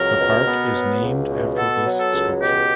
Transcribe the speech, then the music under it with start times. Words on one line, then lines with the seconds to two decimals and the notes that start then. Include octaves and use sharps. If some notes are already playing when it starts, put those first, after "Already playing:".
The park is named after this sculpture.
Already playing: C#2 F#3 A#4
0.19 B2
0.47 B3
0.75 F#3
1.02 C#2
1.30 B2
1.58 B3 A4
1.86 F#3
1.99 A4
2.13 C#2
2.41 B2 G4